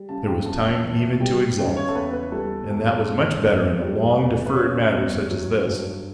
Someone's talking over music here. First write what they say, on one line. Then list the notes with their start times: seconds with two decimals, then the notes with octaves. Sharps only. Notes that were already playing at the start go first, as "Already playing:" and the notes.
There was time even to exult, and that was much better in a long-deferred matter such as this.
Already playing: G3
0.09 C#3 A5
0.27 G5
0.46 E2 A5
0.64 A5
0.83 E3 A5
1.20 G3 G5
1.58 C#3 G5
1.77 C#5
1.89 A4
1.95 E2 B4
2.13 B4
2.32 G3 A4
2.70 E2 A4
3.08 C#3
3.44 E2
3.82 G3
4.19 E2
4.46 B4
4.56 C#3 C#5
4.94 E2
5.31 F#3
5.68 G2